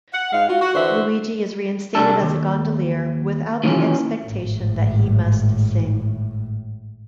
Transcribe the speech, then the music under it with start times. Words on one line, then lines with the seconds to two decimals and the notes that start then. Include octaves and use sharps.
Luigi is reinstated as a gondolier, without the expectation that he must sing.
0.13 F#5
0.33 G#2 G#3 F5
0.49 F4 F#4
0.61 F#4
0.74 D3 E3 F#4 B4 C5 E5
1.95 C2 G3 D4 A4
2.21 D#2
3.64 A#2 D#3 E3 F#3 C#4
4.26 G#1 A2